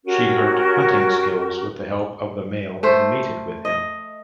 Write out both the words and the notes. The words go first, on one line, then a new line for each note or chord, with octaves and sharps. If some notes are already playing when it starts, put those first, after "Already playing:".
She learnt hunting skills with the help of the male and mated with him.
C#4 F#4 G4 A#4
A3 C5
D#5